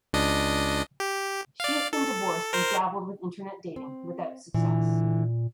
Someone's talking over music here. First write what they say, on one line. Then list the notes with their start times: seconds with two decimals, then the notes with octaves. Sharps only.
She has been divorced and dabbled with internet dating without success.
0.13 C#2 D4 D#5
1.00 G4
1.60 D5 F5
1.93 A4
2.53 A#4 C5
3.76 C4
4.54 A#2 D3 E3